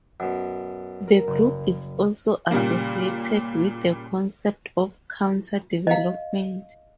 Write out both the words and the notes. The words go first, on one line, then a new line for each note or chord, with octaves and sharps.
The group is also associated with the concept of Counter-development.
F#2 B2
A#4
F#1
A#2 C#3 G3 A#3
D#5 F5